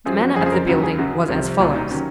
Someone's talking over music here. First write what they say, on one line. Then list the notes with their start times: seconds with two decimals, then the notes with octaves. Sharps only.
The manner of the building was as follows.
0.05 F#2 F3 G#4
0.21 F#4
0.36 F2 C#3 F3 G#4
0.46 G#4
0.52 A#4
0.67 D#2 C#3 F#3
0.83 G#4
0.98 F#2 C#3 F#3 F#4
1.28 C2 C3 F3
1.60 C2 A#2 F#3 F4
1.75 D#4
1.91 D#3 F#3 C#4